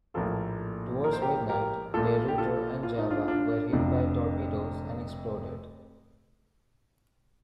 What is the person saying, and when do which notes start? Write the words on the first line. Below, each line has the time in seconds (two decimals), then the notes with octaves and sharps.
Towards midnight, "De Ruyter" and "Java" were hit by torpedoes and exploded.
0.14 A#1 A2 F3 A#3 F4 A4
1.04 A#4
1.13 C5
1.22 G4 A#4
1.49 G4 A#4
1.94 A#1 A#2 A3 F4 A4
2.28 G4
2.38 F4 A4
2.83 F4
2.98 D#4
3.11 D4 F4
3.28 D4 F4
3.73 F1 F2 C3 D4 F4